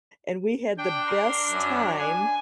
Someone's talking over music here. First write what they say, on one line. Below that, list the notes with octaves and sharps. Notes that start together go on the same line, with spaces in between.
and we had the best time
D4 G5
A#4 C6
F#2
G#5